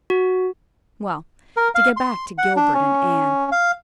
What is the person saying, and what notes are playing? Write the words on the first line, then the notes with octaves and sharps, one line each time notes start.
Well, to get back to Gilbert and Anne.
F#4
A#4
F5
C6
F#5
D4
C#4
F5